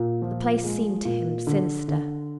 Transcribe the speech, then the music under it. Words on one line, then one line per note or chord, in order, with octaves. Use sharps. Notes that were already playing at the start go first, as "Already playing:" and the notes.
The place seemed to him sinister.
Already playing: A#2
F3
G#3
A#2
D3
D3